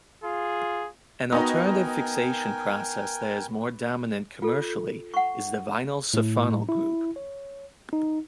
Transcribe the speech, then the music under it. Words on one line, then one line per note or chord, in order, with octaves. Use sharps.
An alternative fixation process that is more dominant commercially is the vinylsulfonyl group.
F4 G#4
B3 D#4 F#4 A#4 D#5 G5 G#5
F4 A4
F#5 C#6
A2
E4
C#5
D#4